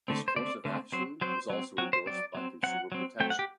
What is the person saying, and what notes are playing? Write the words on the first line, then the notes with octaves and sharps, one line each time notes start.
This course of action was also endorsed by consumer protection.
D3 A3 C4
C5
D3 A3 C4 D5
D3 A3 C4
F#3 C4 C5
F#3 C4 C5
F#3 C4
F#3 C4 F#4
C5
F#3 C4 D5
F#3 C4
F#3 C4 F#5
F#3 C4
F#3 A3 C4 G5
F#5
G4